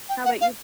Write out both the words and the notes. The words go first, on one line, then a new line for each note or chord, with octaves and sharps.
How about you?
G5
F#5
F5